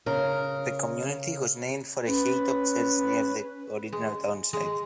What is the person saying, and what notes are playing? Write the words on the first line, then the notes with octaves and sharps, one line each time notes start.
The community was named for a hilltop church near the original townsite.
C#3 A#4
C#4 B4
G#3
G#3